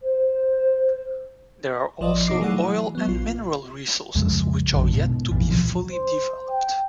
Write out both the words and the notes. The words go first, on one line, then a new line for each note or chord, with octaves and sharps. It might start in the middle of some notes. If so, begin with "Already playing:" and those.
There are also oil and mineral resources which are yet to be fully developed.
C5
A1 F3 B4 D5 D#5
B2 D#4 D6 C7
E3 F#3 A3 G#4 D5 F#5
F#3 B3
A#1 F4
C2 F2 C#3 G#3
A#1 F#2 D3 F#3
G#2 B2
A#1 F2 A#2 E3
D1 C2 F3
C5
G5